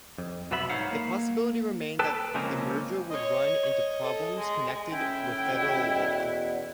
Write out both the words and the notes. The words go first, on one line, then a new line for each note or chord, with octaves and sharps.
The possibility remained that the merger would run into problems connected with federal law.
F2
B1 B2 B3 E5 B5
G#2 D#4 C#5 F5 F#5
A#3
A4 B4 G5 A5
C#3 F3 G#3 A#3 C4 C#4
C#5 D#5
A4
G#3
A2 C#4 E4 G5
E2 B2 F#5